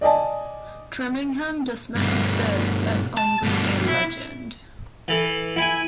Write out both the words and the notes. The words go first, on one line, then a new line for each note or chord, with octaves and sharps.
Trimingham dismisses this as only a legend.
D5 D#5 G#5 A5
G2 B2
A5
G2 B2
E4
E3 A4
E4 G#5